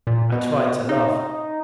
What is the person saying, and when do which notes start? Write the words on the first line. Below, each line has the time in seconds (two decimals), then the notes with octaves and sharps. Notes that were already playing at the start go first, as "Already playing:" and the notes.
I tried to laugh.
0.07 A#2
0.32 B2
0.89 D#4